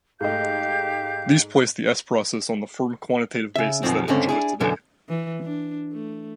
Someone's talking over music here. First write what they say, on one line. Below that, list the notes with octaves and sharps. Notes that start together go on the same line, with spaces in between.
These placed the s-process on the firm quantitative basis that it enjoys today.
G#2 A3 G4 D#5 F5 G6
C#3 E5
F#2 B2 D#3 F3 C4
C#2 G2 D3 C4 C#4
D4 E4 G#4
F#2 B2 D3 E3
E3
D4
A3